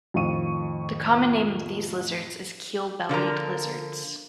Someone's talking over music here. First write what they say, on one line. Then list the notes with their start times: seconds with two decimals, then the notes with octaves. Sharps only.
The common name of these lizards is Keel-bellied Lizards.
0.14 F2 A2 D#3 F5 C#6 D#7
3.09 D3 F3 A#4 A#5